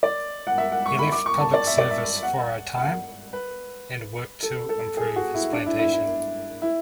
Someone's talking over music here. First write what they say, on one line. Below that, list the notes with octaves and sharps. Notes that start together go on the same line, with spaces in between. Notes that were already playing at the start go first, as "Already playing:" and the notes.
He left public service for a time, and worked to improve his plantation.
D5
F#5
E5
F#5
C#6
B5
D6
C#6
A5
D5
E5
D5
E5
F#5
F#5
B4
A4
A4
G#4
F#4
E4
D4
E4
E4
E4
E4